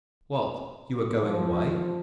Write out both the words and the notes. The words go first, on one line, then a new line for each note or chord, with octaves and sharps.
What! you are going away?
F3